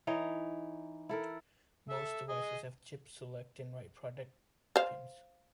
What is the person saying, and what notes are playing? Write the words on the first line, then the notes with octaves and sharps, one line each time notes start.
Most devices have chip select and write protect pins.
E3 D#4 C#5 D#5
E4 A4 A#4
A4 E5
G#4 D#5
C5 F5